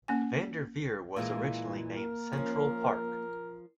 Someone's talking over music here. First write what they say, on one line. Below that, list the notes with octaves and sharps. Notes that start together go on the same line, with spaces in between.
Vander Veer was originally named Central Park.
A#3 C#4 G#5
A#2 E3 G#3 F5
A#3 A#4
F3 C#4